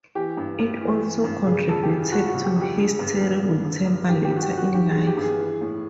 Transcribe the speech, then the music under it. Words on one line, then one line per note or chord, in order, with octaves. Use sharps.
It also contributed to his terrible temper later in life.
E3 G4
G2
G2
E3
E3
G2
C#3 G#4
F2 A4
G4
E3 G#4
F2 F#4
F#4
C#3
G4
F2
G4
D3 G#4
G2
G2
D3
D3
G2
D#3 G4
G4
G2
F#4
G4
G2
F#4
D#3 G4
G#4
D#3
G4
G2
G#4
E3
A2